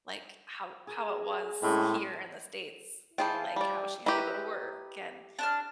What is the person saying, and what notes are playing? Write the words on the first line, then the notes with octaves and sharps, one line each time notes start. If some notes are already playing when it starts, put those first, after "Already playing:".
like how how it was here in the States. Like, how she had to go to work and,
G#4 A#4
A2 G#3 C4 C#4
E3 F4 G#4 C5 G5 A5
G3 D5
E4 G4 B4 D#5 A#5
D4 A5 F6